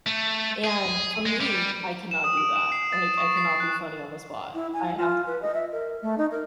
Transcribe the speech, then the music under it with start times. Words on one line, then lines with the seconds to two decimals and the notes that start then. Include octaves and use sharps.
and, for me, I cannot do that, like, I cannot be funny on the spot. I have to
0.06 A3
0.64 G#4
1.26 G#3
1.41 G3
2.11 E7
2.24 D#6
2.37 D7
2.56 E7
2.72 C7
2.92 A6
3.17 C#6
3.37 C7
3.60 F#6
4.55 E4
4.73 G#5
4.97 F4
5.27 B4
5.42 D#5
5.55 E5
5.72 A#4
6.02 A3
6.18 D#4
6.31 A#4